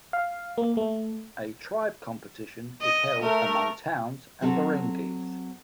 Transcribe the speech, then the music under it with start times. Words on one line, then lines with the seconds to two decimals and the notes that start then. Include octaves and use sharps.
A tribe competition is held among towns and barangays.
0.13 F5
0.58 A#3
0.77 A3
2.82 D#5
3.22 A3 A#4
4.42 F#3 C4 F#4 A4